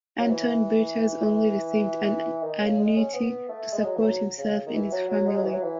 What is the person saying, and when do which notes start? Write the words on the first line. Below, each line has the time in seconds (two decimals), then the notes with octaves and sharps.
Anton Beatus only received an annuity to support himself and his family.
0.20 F#3
0.30 E3
2.43 D#3
2.60 C#3
2.79 G#3
2.96 C#4
3.14 B3
3.49 A3
3.73 G#3
3.84 F#3
3.96 E3
4.03 F#3
4.38 C#3
4.66 D#3
4.74 E3
4.92 F#3
5.09 F#3
5.27 G#3
5.35 F#3
5.44 E3
5.53 F#3
5.63 E3